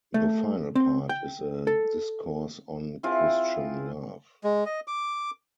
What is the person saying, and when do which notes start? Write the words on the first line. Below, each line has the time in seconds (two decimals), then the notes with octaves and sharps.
The final part is a discourse on Christian love.
0.14 A3
0.75 C4
1.09 G5
1.67 A4
3.03 C4 E4 F4 G#4
4.44 G#3
4.66 D#5
4.88 D6